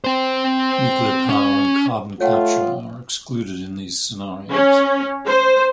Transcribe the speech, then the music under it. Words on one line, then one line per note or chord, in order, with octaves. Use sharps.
Nuclear power and carbon capture are excluded in these scenarios.
C4 C5
C#4
A3 F4 C#5 F#5 G5
C#4
C5